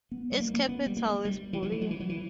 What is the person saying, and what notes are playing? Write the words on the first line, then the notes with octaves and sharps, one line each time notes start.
Its capital is Bulle.
B3
G3
A#3
A#3
B3
G3
A#3
G3
E3
F#3
E3
F#3
E3
F#3
E3